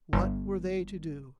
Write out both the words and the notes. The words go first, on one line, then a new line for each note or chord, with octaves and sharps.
What were they to do?
G1